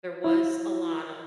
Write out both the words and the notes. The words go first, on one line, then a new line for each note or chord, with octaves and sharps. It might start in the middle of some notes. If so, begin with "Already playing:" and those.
there was a lot of,
E4